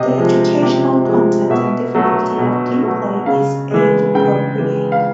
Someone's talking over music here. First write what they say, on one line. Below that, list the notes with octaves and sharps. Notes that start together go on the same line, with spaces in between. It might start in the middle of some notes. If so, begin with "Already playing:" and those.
The educational content and difficulty of gameplay is age appropriate.
Already playing: C3 D#5
F3 G#3
C3
F3 G#3
B2 E5
F#3 A3
B2
F#3 A3
C#3 F5
E3 G#3
C#3 G5
E3 G#3
F5